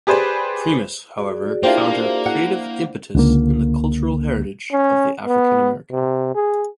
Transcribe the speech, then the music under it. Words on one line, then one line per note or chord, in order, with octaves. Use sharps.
Primus, however, found her creative impetus in the cultural heritage of the African American.
G4 G#4 B4 C5 D5
F#4 G#4 D5
A#3 D4 E4 F4 G4 C5
F#5
C#2 D3 A#3
C#4
B3
C3
G#4